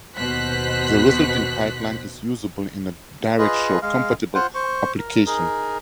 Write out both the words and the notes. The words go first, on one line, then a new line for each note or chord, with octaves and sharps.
The resulting pipeline is usable in a DirectShow compatible application.
D#2 B2 C5 F#6 B6
F4 G#4 B4 D#5
G#3 F5
F4 C5 F#5
C5 C#6
A#4
D#4 G#4 A#4